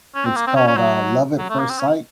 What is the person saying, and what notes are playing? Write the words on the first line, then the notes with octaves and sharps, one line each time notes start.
It's called, uh, Love at First Sight
C#4
C4
A#3
C4
C#4
C#4
F#3
F#3
A3
A#3
C4
C#4